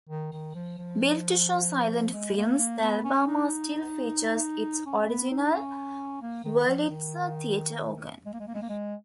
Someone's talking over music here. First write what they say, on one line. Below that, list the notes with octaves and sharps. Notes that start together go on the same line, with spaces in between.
Built to show silent films, the Alabama still features its original Wurlitzer theater organ.
D#3
D#3
F3
F3
G#3
A#3
A#3
B3
C#4
D#4
C#4
C#4
B3
D#4
C#4
A#3
D#3
F3
D#3
G#3
A#3
G#3
A#3
G#3
A#3
G#3